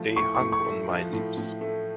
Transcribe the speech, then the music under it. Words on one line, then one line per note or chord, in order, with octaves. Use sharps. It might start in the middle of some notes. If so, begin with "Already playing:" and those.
They hung on my lips.
Already playing: A2 F3 A3
A2 C#6
C#6
A2
C#6
A3
F3
A2
A2
A3